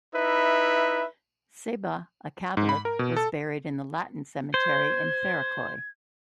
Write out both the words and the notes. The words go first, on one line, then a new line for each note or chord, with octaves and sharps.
Sebah, a Catholic, was buried in the Latin cemetery in Ferikoy.
D#4 E4 B4 E5
G#2
B5
A#4
B2
A4
C5 G#6